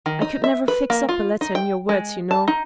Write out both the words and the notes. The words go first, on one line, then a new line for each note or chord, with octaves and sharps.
I could never fix up a letter in your words, you know.
D#3
D#4
E5
B4
A#3
F4
D#4
G5
G#3
A5
D#4